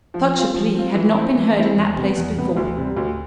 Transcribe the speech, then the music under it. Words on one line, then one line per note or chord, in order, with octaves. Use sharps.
Such a plea had not been heard in that place before.
F3
C4 F4
F3
C4 F4
E3
A3 C4 E4
E3
A3 C4 E4
E2
C3 G3 B3
E2
C3 G3 B3
D2
C3 G3
D2